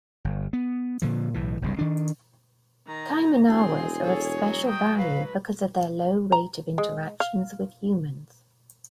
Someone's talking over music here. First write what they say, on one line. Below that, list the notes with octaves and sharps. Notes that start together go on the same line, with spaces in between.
Kaimanawas are of special value because of their low rate of interaction with humans.
G1
B3
A#2 D3 F3
B1 A2 E3
F#1 C2 G2
D#3 D4
D#3 A#5
E1 C4 G#4 C6
A4 C#5
F#3 G#3
G5 D#6
B4 F5
A#5
G#3
F5